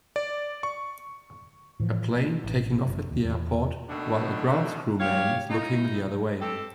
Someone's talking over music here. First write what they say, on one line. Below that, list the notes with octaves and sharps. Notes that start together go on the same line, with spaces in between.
A plane taking off at the airport while a grounds crew man is looking the other way.
D5
C#6
A2 E3 F3
A#3
A1
F#1
D#2
E2
B2 D#3 A3 D4
G4 C#5 F5
D#4 E4
C4 G4 A4